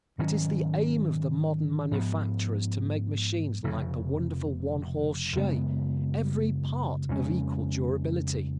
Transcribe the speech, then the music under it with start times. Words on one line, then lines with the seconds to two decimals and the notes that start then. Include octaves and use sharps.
It is the aim of the modern manufacturers to make machines like the wonderful one-horse shay, every part of equal durability.
0.18 G#2 D#3 F#3 C#4
1.91 G#2 F3 B3
3.64 F1 F2 C#3
5.36 F#2 C#3 G#3 B3
7.09 F2 C#3 G#3 C#4